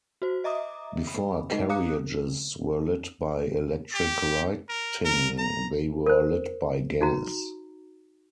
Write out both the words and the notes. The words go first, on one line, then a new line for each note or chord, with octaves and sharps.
Before carriages were lit by electric lighting they were lit by gas.
F#4 C5
D#5 E5 A#5 D6 D#6
B5
G#3 D#4 B4 D#5
F5 A#5 D6 D#6 F#6 C#7
G4
A#4
A#4
A#5
A#4 C5
D#4 F#4 A#5